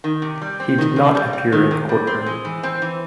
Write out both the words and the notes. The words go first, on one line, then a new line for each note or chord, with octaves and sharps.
He did not appear in the courtroom.
D#3
C3
G3
C4
D#3
C3
G3
C4
D#3
C3
G3
C4
G#3
E3
C4
E3